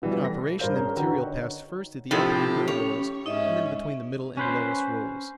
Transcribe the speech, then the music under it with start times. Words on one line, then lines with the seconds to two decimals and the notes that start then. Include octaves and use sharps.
In operation the material passed first through the upper and middle rolls, and then between the middle and lowest rolls.
0.02 B2 E3 G3
0.23 A4 A#6
0.59 G2 A#4 C5 F5 G6
0.74 C#4 G#4 A#4 C#5 A#5
0.96 D3 F#4 B4 G5 A#5
1.23 D#4 C#5
2.11 A2 C3 F3 D#4 G4 A4 B5
2.68 C#4 C#5
3.26 G#2 C#4 D#4 D#5 E5
4.37 C#4 B4 C5